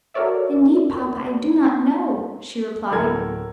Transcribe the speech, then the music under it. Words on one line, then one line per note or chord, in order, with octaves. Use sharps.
"Indeed, papa, I do not know," she replied.
F#4 A4 A#4 C#5 D5 E5
D1 A4 A#4 G#6